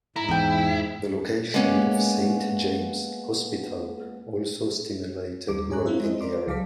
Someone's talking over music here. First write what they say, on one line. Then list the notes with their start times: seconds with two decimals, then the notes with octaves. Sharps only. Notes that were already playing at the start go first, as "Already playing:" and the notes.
The location of Saint James' Hospital also stimulated growth in the area.
0.16 G#2 E4 A#5
0.29 E2 D#5 G5
1.54 G#3 A#3 B3 C#4
5.48 D#2 G3 D6
5.70 G#2 G#4 C#5 G#5 A#5 F#6
5.86 C4 D4 E4 F4 C5 E5
6.00 G#3 E4 C5 D#5
6.21 A#4 D5 C6 D6
6.47 C#2 F#3 F5 A5 D6 B6